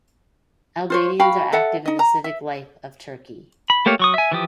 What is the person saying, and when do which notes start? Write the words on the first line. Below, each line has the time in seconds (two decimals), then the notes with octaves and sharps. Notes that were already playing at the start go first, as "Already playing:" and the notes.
Albanians are active in the civic life of Turkey.
0.90 F4 C5 C#5
1.19 F#4 F5 G5 B5
1.53 A4 E5 F#5
1.86 D#4 D#5
1.99 A#5
2.24 E5
3.70 B5
3.86 A3 A#3 G4 C#5 F5
3.99 F#3 C#6 D#6
4.14 E5 G#5
4.32 E3 F3 G4 D#6